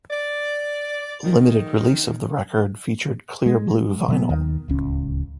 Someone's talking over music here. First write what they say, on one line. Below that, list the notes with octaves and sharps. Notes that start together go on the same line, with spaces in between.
A limited release of the record featured clear blue vinyl.
D5
D#3
G#3
B2 F#3 B3
D#2 D#3
D1 C#2 C#4